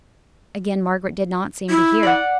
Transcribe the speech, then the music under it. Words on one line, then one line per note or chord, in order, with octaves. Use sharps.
Again Margaret did not seem to hear.
E4
D5 E5 F#5